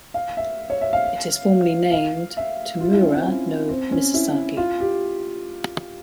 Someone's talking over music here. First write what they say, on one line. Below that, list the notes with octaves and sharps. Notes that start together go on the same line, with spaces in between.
It is formally named "Tamura no misasagi".
F5
E5
C#5
E5
F5
F5
E5
F4
E4
C#4
C4
C#4
C4
C#4
E4
F4
G4